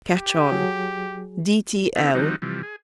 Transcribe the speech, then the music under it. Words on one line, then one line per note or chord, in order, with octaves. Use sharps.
Catch on. D.t.l.
G4
F#3 G#4
B3 C4 D#4 E4 A4
D#3 F3 G3 C4 D#4 F#4
C3 E3 F3 G3
G#4